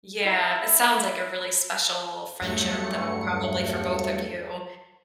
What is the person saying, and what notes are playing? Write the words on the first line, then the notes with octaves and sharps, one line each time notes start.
Yeah. It sounds like a really special friendship, though, probably for both of you.
E4
E2 G2 F#3 A3 C#7